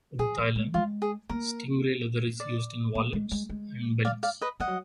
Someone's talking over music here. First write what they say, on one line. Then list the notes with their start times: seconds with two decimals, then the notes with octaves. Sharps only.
In Thailand, stingray leather is used in wallets and belts.
0.19 F3 G#4
0.38 F3
0.55 G#3
0.74 G#3 F4
1.02 G#4
1.29 A#3 A#4
2.40 D5
2.95 A#3
3.13 G#3
3.31 G#3
3.49 G#3
4.05 D5 F5
4.23 D5 F5
4.41 B4 D#5
4.60 F3 D#5 F#5
4.68 F#3